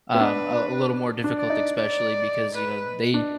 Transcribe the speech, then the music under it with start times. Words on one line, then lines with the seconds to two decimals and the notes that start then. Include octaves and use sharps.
um, a a little more difficult especially because, you know, they
0.15 B3
0.20 D4 B4
1.24 D4
1.37 D5
1.50 D#4
1.76 D5
2.55 B4
3.14 D4